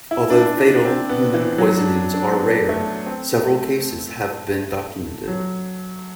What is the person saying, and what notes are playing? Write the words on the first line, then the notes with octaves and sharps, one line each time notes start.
Although fatal human poisonings are rare, several cases have been documented.
E4
D4
E4
D4
C4
B3
E3
F#3
D4
D4
B3
A3
C4
A3
F#3